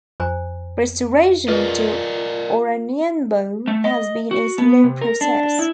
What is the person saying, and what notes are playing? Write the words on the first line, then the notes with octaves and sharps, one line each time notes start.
Restoration to Oranienbaum has been a slow process.
F2 C5 G#5 A#5
F4 G#4 A#4 B4 D5 D#5
A3
D#5
F#4
B3
C3
A#4
D4
E4